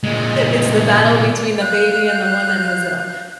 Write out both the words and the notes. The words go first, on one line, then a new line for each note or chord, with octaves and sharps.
It's the battle between the baby and the one that knows it all.
A#2 G#3
F5 F#6 G6